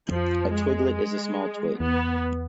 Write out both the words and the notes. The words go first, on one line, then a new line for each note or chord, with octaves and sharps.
A twiglet is a small twig.
F2 F3
G#3
G#3
E2 B3